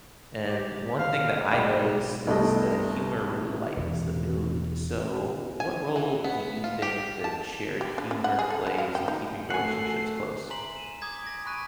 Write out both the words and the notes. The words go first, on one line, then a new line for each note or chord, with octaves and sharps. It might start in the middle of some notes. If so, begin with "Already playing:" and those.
And one thing that I notice is that humor really lightens the mood. So, what role do you think that shared humor plays in keeping relationships close?
G4
F5
B1 G#3 D5 G5 B5
C2 G2 A3 B3 D#5
E1
G#5
E3
B3
F4
G4
A5
G4
D4
C#4
F#5
G#4
A4
F#3
F5
G5
D#4
A3 F#4 F#5 G#5 C7
G#5 A#5 C6 B6 F#7
D#7 E7
D6 D#6 G#6 B6
G#5 A#6
G#5 B5 C#6 F#6 B6 D#7